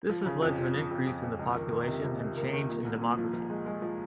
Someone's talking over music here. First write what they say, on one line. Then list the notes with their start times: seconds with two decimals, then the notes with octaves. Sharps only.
This has led to an increase in the population and change in demography.
0.09 F3
0.26 C#3
0.42 F2
0.58 F3
0.74 F3
0.91 F2
1.07 F2
1.23 F2
1.39 C#2
1.55 D#3
1.71 D#3
1.88 C3
2.03 C#2
2.20 C3
2.37 A#3
2.53 D#3
2.69 A#2
2.85 C2
3.01 A#2
3.17 F3
3.33 F3
3.50 G#3
3.66 G#3
3.82 F3